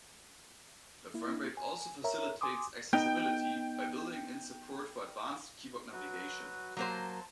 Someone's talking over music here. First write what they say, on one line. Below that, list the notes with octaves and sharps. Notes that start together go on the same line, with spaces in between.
The framework also facilitates accessibility by building in support for advanced keyboard navigation.
A#3 E4
G#5
A#4 C#5 E5 A#5
G#5 C6 D6 D#6
B3 D#4 D#5 G5
F#3 F#4 B4
F#3 A#3 C5
A5